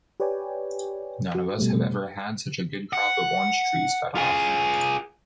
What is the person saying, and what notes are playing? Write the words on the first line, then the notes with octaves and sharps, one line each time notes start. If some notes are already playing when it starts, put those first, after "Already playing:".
None one of us has ever had such a good crop of orange trees cut off.
G4 B4 C#5 D5 G5 G#5
F#4
B2 G3 A3
F#5
F4 G#4